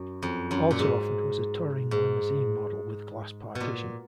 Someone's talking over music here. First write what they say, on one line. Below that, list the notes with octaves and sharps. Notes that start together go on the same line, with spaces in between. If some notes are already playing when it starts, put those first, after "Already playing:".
Also offered was a touring limousine model with glass partition.
Already playing: F#2
F2
F#2
A#2
G#2
G#2
B2
A#2